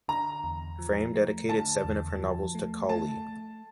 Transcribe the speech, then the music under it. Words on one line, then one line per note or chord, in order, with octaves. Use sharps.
Frame dedicated seven of her novels to Cawley.
D3 A#5
E2
F3
A3
D3 A5
E2
F3
A3
A3 A5